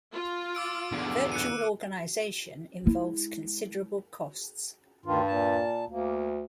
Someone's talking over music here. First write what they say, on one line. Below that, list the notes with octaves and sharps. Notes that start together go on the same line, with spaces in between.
Virtual organization involves considerable costs.
F4
D6 E6 D7
E2 D3
F#6 C#7 D#7
G#3 E4
D2 G2 D#3 F4
A#2 A5
D2 A#3